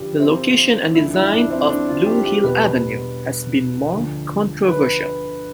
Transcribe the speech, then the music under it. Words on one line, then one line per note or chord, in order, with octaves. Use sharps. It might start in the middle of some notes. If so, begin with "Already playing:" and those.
The location and design of Blue Hill Avenue has been more controversial.
Already playing: G2 D3 F3 G4
C4
D2 D3 F3 E4
E4
D4
C4
D4
F4
G4
G4
E2 B2 G3 B4
D2 D3 F3
B4